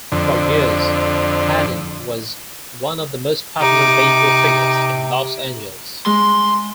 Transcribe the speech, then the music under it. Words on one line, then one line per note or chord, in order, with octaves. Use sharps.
For years, Haney was one of the most popular baseball figures in Los Angeles.
F2 D3
C3 D#4 D6
G#3 C6